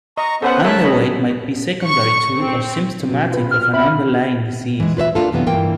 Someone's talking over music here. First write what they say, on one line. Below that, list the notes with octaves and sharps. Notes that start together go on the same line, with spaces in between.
Underweight might be secondary to or symptomatic of an underlying disease.
D#5 A#5 C#6
B3 C#4 A4 B4 C5 F#5
A#4 C#5 E5 A5 F#6
C#5 D#5 B5
C#6
C4
B2
F4 B4
F6
C4 E5 B5
E3 G#3
F4 B4 C5 E5
A#3 C#4 D4 F4 A4
F#2 C3 E3 B3
G2 E3 A#3 G5